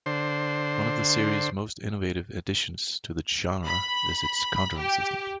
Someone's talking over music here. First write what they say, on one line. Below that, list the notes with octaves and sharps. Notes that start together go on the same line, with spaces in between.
One of the series' most innovative additions to the genre is its countering system.
D3 C5
B5
G4